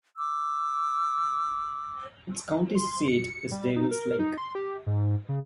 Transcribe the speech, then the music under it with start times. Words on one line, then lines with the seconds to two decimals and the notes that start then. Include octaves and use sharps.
Its county seat is Devils Lake.
0.17 D6 E6
2.75 C6
3.08 C#7
3.51 G3
3.76 D#4
3.91 A#4
4.19 D#4
4.38 C6
4.55 G4
4.87 G#2
5.29 C#3